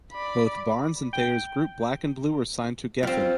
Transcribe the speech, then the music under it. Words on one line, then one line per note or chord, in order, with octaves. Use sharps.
Both Barnes and Thayer's group Black 'n Blue were signed to Geffen.
D5 B5
G5
G3 C4 F4